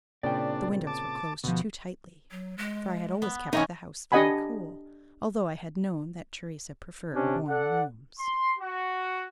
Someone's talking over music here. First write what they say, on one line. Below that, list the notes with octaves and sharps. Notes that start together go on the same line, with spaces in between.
The windows were closed too tightly; for I had always kept the house very cool, although I had known that Theresa preferred warm rooms.
A#2 C#3 C4 D4 D5 G5
A5 D6
D2 B2 F3
F#3
G#3
B3
C3 E3 C#4 D#4 F#5
D4 G4 D#5 F#5 G#5 B5
C3 C#4 D4
A4 D5 F#5
C6
F#4